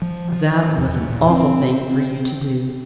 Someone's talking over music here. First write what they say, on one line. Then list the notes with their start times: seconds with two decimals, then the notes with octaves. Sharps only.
That was an awful thing for you to do.
0.02 F3
0.32 F3
0.78 E2
1.10 A#2
1.29 C4